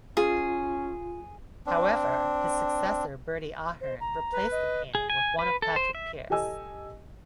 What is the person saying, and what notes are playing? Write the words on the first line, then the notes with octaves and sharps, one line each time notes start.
However, his successor Bertie Ahern replaced the painting with one of Patrick Pearse.
C#4 F4 G#4
C4 D4
C5
A#5
B4
D#5
G#4
G#5
B4
A4
C5
E5
G4 A4 D#5 G#5 E6